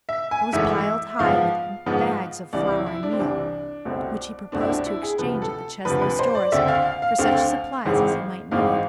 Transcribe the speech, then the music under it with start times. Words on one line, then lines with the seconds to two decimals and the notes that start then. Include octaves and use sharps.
It was piled high with bags of flour and meal, which he proposed to exchange at the Cheslow stores for such supplies as he might need.
0.09 E5
0.31 G#5
0.53 G#1 G#2 E3 A3 E5
1.19 G#2 F3 B3 F5
1.86 G#2 F3 B3
2.53 C2 C3 E3 D5
2.70 E4
2.86 E4
3.03 D4
3.13 C4
3.19 C2 C3 E3 D4
3.85 C2 B2 A3 C4
4.52 C2 B2 A3 C4 D4
4.61 E4
4.70 D4
4.86 E4
5.03 G#4
5.18 D2 C3 F3 B4
5.42 A4
5.85 D2 C3 F3 B4
6.02 B4
6.19 C5
6.35 D5
6.52 D2 D3 A3 C4 E5
6.68 F5
6.85 F5
7.02 F5
7.18 D2 D3 A3 C4 F5
7.85 G#1 G#2 E3 G#3 C4
8.51 G#1 G#2 E3 G#3 C4 F5